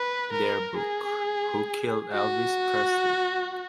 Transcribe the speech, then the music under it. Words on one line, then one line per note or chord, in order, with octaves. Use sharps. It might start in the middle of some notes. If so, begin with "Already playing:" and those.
Their book, Who Killed Elvis Presley?
Already playing: B4
A#4
G#4
F#4